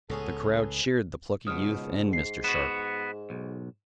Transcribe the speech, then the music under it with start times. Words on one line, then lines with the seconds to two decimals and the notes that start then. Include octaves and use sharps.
The crowd cheered the plucky youth and Mr. Sharp.
0.09 C#2 A2 B3 C#4 G#4 A4
1.47 C#2 G#2 B2 D#6 F6
2.13 C7
2.44 B3 F#4 E7
3.30 B1